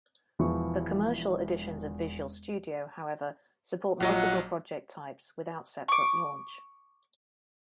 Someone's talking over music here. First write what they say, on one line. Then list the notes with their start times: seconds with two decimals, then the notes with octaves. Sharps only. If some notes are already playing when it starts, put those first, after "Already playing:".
The commercial editions of Visual Studio, however, support multiple project types without separate launch.
0.39 E1 E2 F3 E4 E5 C#6
4.00 A#1 F#3 F4 D#5 F#5
5.88 C#6 D6